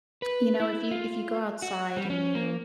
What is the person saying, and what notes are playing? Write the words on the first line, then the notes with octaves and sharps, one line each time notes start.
you know, if you if you go outside and you
B4
E4
F4
F#4
G3
C#4
A#3